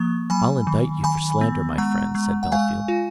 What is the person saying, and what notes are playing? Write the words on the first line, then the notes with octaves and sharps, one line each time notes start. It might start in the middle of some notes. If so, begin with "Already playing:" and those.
"I'll indict you for slander, my friend," said Bellfield.
Already playing: F3 A#3 C#6
F#3 G#5 B5
D#3
D#3 G#5 B5
B3
G#3 F#5 A#5
G#3
F#5
G#3 F5 G#5
F4